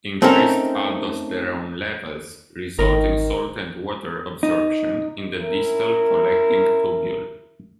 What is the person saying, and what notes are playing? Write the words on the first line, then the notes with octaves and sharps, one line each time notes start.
Increased aldosterone levels results in salt and water absorption in the distal collecting tubule.
A3 C4 C#4 D#4 A#4
G#1 D#3 A#4
D#4
C#4 E4 A#4